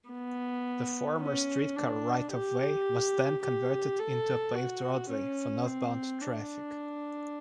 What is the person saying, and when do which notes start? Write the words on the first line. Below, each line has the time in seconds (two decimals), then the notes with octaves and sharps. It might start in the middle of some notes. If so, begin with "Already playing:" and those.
The former streetcar right-of-way was then converted into a paved roadway for northbound traffic.
0.09 B3
1.21 C#4
1.76 D4
2.32 G4
3.43 G4
3.99 A4
4.55 F#4
5.10 C#4
5.66 C4
6.21 D4